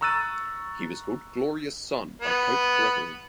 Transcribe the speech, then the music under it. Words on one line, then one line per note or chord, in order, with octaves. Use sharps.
He was called "glorious son" by Pope Gregory.
A#5 C#6 E6 F#6 A6 D#7
B3